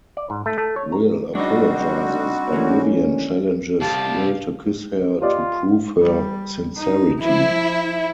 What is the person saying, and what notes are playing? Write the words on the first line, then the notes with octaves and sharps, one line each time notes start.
Wil apologizes, but Vivian challenges Wil to kiss her to prove her sincerity.
D5
G#2
A3
A3
C#5
A#5
F#2 G3 G#3 C4 D4 D#4 F#4
E3 A3 A#3 C#4
C2 G4 F5 A5
F4 G4 D5 D#5
G3
D#4
F3 E4